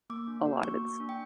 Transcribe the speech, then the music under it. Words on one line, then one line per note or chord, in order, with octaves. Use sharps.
a lot of it's,
A#3 D6
D4
F#4
A#3 C#6
A#3
D4
G5